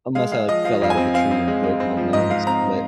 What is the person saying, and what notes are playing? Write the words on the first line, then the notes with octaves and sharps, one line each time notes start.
Unless I, like, fell out of the tree, and broke my bones, but
G#3 F5
G#3 F5
F3 D#5
F3 F5
F2 F5
G#5
C4
C4 F5
C4
G#3
G#3
C4
F3
G#2 D#5
G#2 F5
C4 A#5